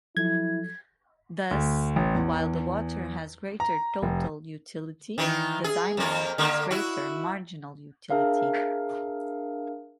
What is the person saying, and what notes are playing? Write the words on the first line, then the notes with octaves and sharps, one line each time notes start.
Thus, while the water has greater total utility, the diamond has greater marginal utility.
F3 F#3 E4 A4 G#6
D2
A1
E2
A#5
F1
D#3 E3
G#4
F2 A#3
D3 A#3
E4 F#4
D4 G#4 A#4 E5 F5